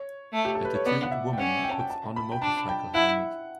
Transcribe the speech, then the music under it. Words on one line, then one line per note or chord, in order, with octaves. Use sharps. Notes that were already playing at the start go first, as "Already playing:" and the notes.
A tattooed woman puts on a motorcycle helmet.
Already playing: C#5
A3
G4
A4
B4
C#5
B3 D5
F#5
E5
G5
C#4 F#5
G5
A5
G5
A5
B5
G5
D4 A5
G5
E4 F#5